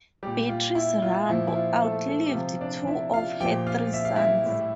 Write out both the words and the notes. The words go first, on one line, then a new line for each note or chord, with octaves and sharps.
Beatrice Rambo outlived two of her three sons.
A#2 G3 G4
F4
E4
F4
A#2 F3 E4
E4
F4
A3 A4
A3 A4
A4
G4
C3 F3 F4
D4 D5
E4 E5
F4 F5
A#2 F3 G4 G5
F4 F5
E5
F5
E4 E5
A2 G3